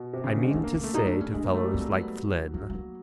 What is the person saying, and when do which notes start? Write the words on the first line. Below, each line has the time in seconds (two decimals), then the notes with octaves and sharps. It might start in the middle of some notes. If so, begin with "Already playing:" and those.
I mean to say to fellows like Flynn.
Already playing: B2
0.13 C3
0.24 C#3
0.34 D3
0.44 G#3
0.53 A3 D4
0.64 A#3
0.74 A#3 C#4
0.84 A3
0.94 G3 D#4
1.07 D4
1.21 C#4
1.34 G#3 D4
1.44 A#3
1.54 A3
1.64 G3
1.74 F#3 C4
1.93 B3
2.54 F#3 A3
2.70 A3
2.75 A#3